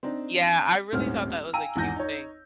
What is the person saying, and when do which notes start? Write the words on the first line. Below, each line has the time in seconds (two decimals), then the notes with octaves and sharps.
Yeah, I really thought that was a cute thing.
0.03 C4 D4 D#4
0.93 D#1 G#1 A2 C4 C#4 F6
1.53 F5 G5 G#5 A#5 E6 D#7
1.76 G#1 E2 F#5 G#5 G6 A#6
1.96 D#4 C#5